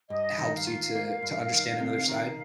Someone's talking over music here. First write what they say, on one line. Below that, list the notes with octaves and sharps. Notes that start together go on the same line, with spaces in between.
helps you to to understand another side,
G2 D#5
D#3
F5
F4
A#3
G2
D#3
C3
D#3